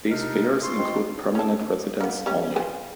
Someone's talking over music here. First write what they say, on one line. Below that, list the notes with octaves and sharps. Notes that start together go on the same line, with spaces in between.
These figures include permanent residents only.
C3 D4 D#4 A#4 F6
F4 C6 C#6 E6
C5 D#5 G5
C#4 A4
A#3 B3
G3 C#4
F3 B4 G#5